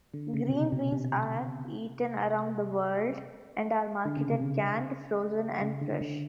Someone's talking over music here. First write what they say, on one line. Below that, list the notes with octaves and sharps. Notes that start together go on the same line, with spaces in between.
Green beans are eaten around the world, and are marketed canned, frozen, and fresh.
D3
C#3
B2
C3
B2
C3
D3
C#3
C3
C#3
C#3
D3
D3